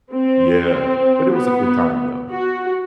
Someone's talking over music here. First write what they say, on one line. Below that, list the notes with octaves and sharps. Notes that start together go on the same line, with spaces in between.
Yeah, but it was a good time, though.
C4
B3
F#4